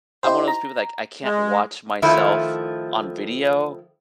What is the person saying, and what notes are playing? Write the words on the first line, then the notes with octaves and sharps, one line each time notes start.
I'm one of those people that, like, I can't watch myself on video,
D#4 E4 G4 C5
A#5
G#3
D#3 F3 A3 E4